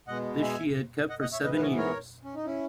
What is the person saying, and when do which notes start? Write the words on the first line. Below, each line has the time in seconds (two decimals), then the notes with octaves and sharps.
This she had kept for seven years.
0.08 B2 G#3 B3 D#5 F#5
0.42 E5 G#5
1.10 D#5 F#5
1.21 D#5 F#5
1.32 C#5 E5
1.44 G#2 E3 B3 B4 D#5
1.56 B4
1.61 A#4 C#5
1.77 A#4 C#5
2.24 C#4
2.35 D#4
2.45 C#4 E4